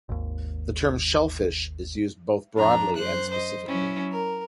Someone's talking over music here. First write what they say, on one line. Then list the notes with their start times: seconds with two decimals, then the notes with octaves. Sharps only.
The term "shellfish" is used both broadly and specifically.
0.09 G#1 D#2
2.56 F2 D4 A#5
2.97 F#2 C5 F#6
3.32 C5 D#5
3.66 F#3 C#4 E4
4.12 A#4